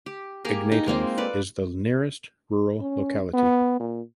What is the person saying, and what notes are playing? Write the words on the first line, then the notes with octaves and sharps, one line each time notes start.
Ignatov is the nearest rural locality.
G4
A#3 G4 G#4 A#4
D#4
G#3 A#3 C4 F4
A4 B4 D5
C#4
B3
A#2